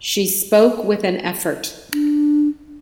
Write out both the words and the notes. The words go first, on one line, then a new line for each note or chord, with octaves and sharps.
She spoke with an effort.
D4